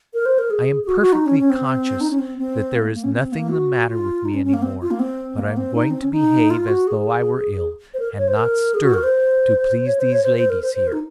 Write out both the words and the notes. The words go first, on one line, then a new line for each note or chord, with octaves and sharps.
I am perfectly conscious that there is nothing the matter with me any more; but I am going to behave as though I were ill, and not stir, to please these ladies here.
A#4
C5
A#4
G#4
G#4
F#4
F#4
D#4
C#4
C#4
C4
D#4
C#4
C4
C4
A#3
A#3
C#4
C4
A#3
F#4
F4
D#4
C#4
C#4
A#3
C4
F4
A#3
C4
A#3
C4
D#4
C4
C#4
D#4
F4
F#4
G#4
C5
A#4
C#5
C5
A#4
G#4
F#4
A#4
C5
C#5
C5
C#5
C5
C5
A#4
C5
C5
A#4
D#4